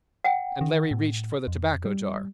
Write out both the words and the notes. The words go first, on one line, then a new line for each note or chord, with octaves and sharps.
And Larry reached for the tobacco jar.
F#5 G5
D#3
A2
F2
G3